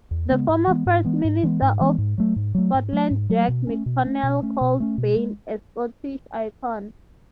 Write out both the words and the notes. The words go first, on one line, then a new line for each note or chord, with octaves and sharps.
The former First Minister of Scotland Jack McConnell called Bain a Scottish icon.
E2
C#3 G#3 B3
G#2
E3 G#3 B3
G#2
E3 G#3 B3
G#2
E3 G#3 B3
G#2
E3 G#3 B3
G#2
F#3 A3
G#2
F#3 A3
G#2
F#3 A3
G#2
F#3 A3
B2
A3 C#4
B2
A3 C#4
B2
A3 C#4
B2
A3 C#4
B2
G#3